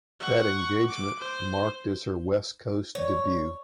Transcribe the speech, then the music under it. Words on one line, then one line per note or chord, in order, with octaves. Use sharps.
That engagement marked as her West Coast debut.
F#5 C#6
D6 D7
C5
C#5